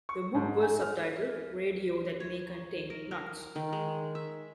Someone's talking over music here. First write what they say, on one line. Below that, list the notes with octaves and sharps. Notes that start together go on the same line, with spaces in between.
The book was subtitled "Radio That May Contain Nuts".
C#6
G#2
G#5
F6
C#5
A#4
A#4
D#3
G#3
E5